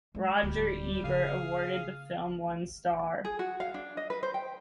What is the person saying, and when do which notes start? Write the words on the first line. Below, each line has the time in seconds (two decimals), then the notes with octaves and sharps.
Roger Ebert awarded the film one star.
0.15 G#3
0.42 D1 D2 G3
1.03 C#3 G#4 F5
3.25 G#4
3.39 F#4
3.60 F5
3.74 D4
3.97 D#5
4.10 B4
4.23 C5
4.34 G5